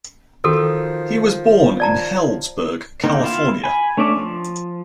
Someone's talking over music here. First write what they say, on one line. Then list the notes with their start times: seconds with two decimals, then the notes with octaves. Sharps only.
He was born in Healdsburg, California.
0.44 D#3 F3 F#4 A4 A#4
1.80 D5 A5 A#5
3.04 D3 D#3 A#3 C4 D#4
3.23 E4 F4 E5 F5
3.64 G#5 B5
3.97 A3 C#4 D4 D5 E5
4.16 F3